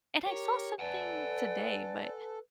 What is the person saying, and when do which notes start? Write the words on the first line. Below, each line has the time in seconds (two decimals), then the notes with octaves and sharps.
and I saw something today, but
0.26 G4 A#4 C#5
0.79 A4 B4 D5 F#5 G#5